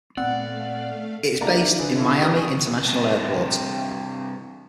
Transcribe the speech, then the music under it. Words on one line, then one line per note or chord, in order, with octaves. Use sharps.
It is based in Miami International Airport.
A#2 A3 B3 C4 D5 F5 F#5
A#3 D4 E4 D5 F#5 A#5
D#3
D3 D4 G#4 B4
D3 C#4 E4 F4 A4
D#4 G4 B4 C5 D5
G#5 C#6 D#6
G2 C3 C5 A5